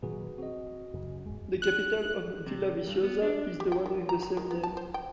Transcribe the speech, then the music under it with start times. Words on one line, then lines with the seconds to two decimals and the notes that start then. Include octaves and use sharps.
The capital of Villaviciosa is the one with the same name.
0.03 A#2 D#3 F#3 F#4 G#4 B4
0.38 C4 F#4 D#5
0.94 F#2 C#3
1.26 F#1 E2 G#2 G#3
1.62 F#6
2.46 C3
2.87 G2
3.03 B3
3.22 D4
3.60 G4
3.72 G5
3.86 D#3
4.09 A#5
4.22 F#3
4.37 D#3
4.51 B3
4.63 A5
4.77 C5
4.94 G5